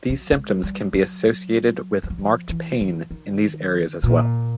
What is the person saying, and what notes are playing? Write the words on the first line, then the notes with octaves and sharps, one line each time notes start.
These symptoms can be associated with marked pain in these areas as well.
F#3
G#3
G3
F#3
G3
F#3
F3
E3
E3
D#3
A#2